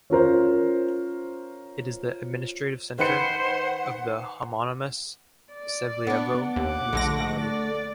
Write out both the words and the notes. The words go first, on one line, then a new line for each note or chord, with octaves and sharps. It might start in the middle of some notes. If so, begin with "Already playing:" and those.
It is the administrative centre of the homonymous Sevlievo Municipality.
C#4 F4 A#4 C5
D#3 B4 C5 F#5 C#7
D5
B3 D4
D#2 F#5 D6
A#1 D3 A3 D4 A#6
D5